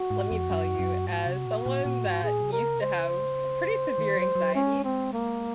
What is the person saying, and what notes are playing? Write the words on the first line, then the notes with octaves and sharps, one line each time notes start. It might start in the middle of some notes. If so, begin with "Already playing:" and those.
let me tell you, as someone that used to have a pretty severe anxiety,
Already playing: F#4
G#2
F2
F#2
F#2
G#2 F#4
C3
A#2
A#2
A#2
G#2
A#2 G#4
C3
A#4
C#3
C3
C#3 C5
D#3
F#3
F#3
G#3 C#4
C4
A#3